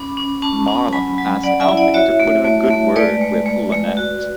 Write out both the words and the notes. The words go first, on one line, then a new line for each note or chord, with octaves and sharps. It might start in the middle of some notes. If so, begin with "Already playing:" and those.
Marlon asks Alfie to put in a good word with Lonette.
Already playing: C#4 B5 D6
C#4
C#4 A5 C#6
C#4
F#3 G#5 B5
F#3
F#3 D5 F#5
E5 G#5
E4
D5 F#5
F#4 C#5 E5
A3
A3
A3
G#3 B4 D5
G#3
G#3
G#3
F#4